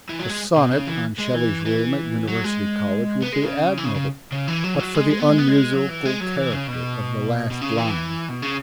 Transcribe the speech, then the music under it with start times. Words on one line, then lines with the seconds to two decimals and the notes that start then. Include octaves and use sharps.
The sonnet on Shelley's room at University College would be admirable but for the unmusical character of the last line.
0.09 E3
0.19 F#3
0.29 G#3
0.56 B2
0.71 C#3
0.87 E3
1.18 G#3
1.34 E3
1.66 E3
2.28 F#3
2.44 G#3
3.22 B3
3.32 G#3
3.44 C#3
3.78 E3
3.85 C#3
3.95 C#3
4.32 C#3
4.48 E3
4.64 F#3
4.74 E3
4.80 F#3
4.95 G#3
5.11 G#3
5.20 B3
5.29 G#3
5.39 B3
5.48 G#3
5.74 F#3
5.89 E3
6.05 G#3
6.20 F#3
6.36 E3
6.52 C#3
6.67 B2
7.51 B2
7.61 C#3
7.78 E3
8.29 B2
8.42 C#3